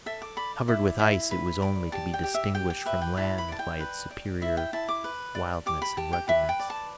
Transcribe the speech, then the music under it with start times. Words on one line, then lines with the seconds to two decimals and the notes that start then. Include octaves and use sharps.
Covered with ice, it was only to be distinguished from land by its superior wildness and ruggedness.
0.06 A4 E5
0.22 D6
0.37 D5 B5
0.68 E4
0.99 E4
1.31 B4
1.62 D5
1.92 G4 A5
2.14 G5
2.24 G4
2.34 E5
2.55 G4 G5
2.70 G5
2.86 B4 E5
3.02 G5
3.17 E4 A5
3.38 B5
3.48 D5 A5
3.59 G5
3.80 B4
4.11 D5
4.42 E4 E5
4.57 G5
4.73 E4 A5
4.89 D6
5.04 B4
5.35 D5
5.66 G4 D6
5.82 B5
5.97 G4 A5
6.13 G5
6.28 B4 E5
6.49 G5
6.60 D5
6.70 A5